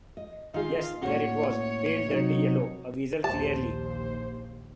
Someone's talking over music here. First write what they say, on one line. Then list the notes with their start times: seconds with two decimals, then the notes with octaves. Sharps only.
Yes, there it was — pale dirty yellow, a weasel clearly.
0.17 D#5
0.54 D#3 D#4 F4 G#4
1.02 A2 A#3 C#4 F#4 C#5
2.06 C3 F#3 D#4
3.24 A#1 D#2 G4 C5 A5 E7